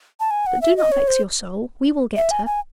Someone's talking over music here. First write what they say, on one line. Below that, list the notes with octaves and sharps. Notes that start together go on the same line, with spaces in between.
But do not vex your soul; we will get her.
A5
G#5
F#5
E5
D#5
C#5
C5
E5
G#5
G#5